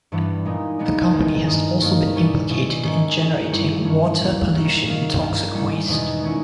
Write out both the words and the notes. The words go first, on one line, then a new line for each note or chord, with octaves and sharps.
The Company has also been implicated in generating water pollution and toxic waste.
G2 E3 G3 B3
A#2 G#3 D#4
A#2 G#3 B3 D#4
E2 D#3 G#3
G2 D#3 G#3
G2 D#3 A#3 D#4
B2 G3 C#4 E4
B2 G#3 C#4 E4
G#2 D#3 G#3 C#4 E4
D#3 G#3 C#4
G2 G3 C#4 E4
G2 E3 A#3 C#4
A#2 G3 C#4 E4
D#3 A#3 C#4 E4
D#3 A#3 E4
G2 D#3 A#3
G#2 G3 C#4 E4
E2 B2 G#3 D#4
D#3 G#3 C#4 E4